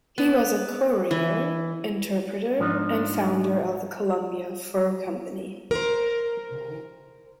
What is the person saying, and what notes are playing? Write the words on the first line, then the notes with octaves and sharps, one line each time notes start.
He was a courier, interpreter, and founder of the Columbia Fur Company.
B3
E3
G#2 F3 D4 D#4
A#4 C5